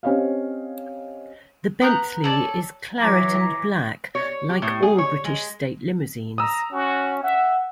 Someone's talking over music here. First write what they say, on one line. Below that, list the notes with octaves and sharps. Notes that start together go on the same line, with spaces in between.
The Bentley is claret and black like all the British state limousines.
C4 C#4 G4 C#5 D#5 F5
B3 A#5 F#6 G6
A4 C#5 D5
E3 F#3 A#5 D6 G#6 A#6 B6
C#5
G4
A2
G#4
C#5
G#3
A#5 D#6 E6
C#4 F#4
E5 F#5